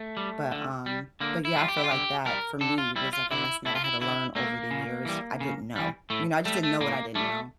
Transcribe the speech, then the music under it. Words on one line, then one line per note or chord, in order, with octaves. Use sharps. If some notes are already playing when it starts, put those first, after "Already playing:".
But, um, but, yeah, I feel like that for me was, like, a lesson that I had to learn over the years I didn't know. You know, I just didn't know what I didn't know,
Already playing: A3
G3
D3
G3
D3 A#3
E4
G3 F4
G4
E4
F4
D3 G4
G3 A#4
D3 A4
F4
G3 E4
F4
D3 E4
A3 E4
F4
E4
D3 E4
A3 A#3
C#3
E3 G3
C#3
E3 G3
A2 A3
G3 A3
A3
A2 A#3
G3 A3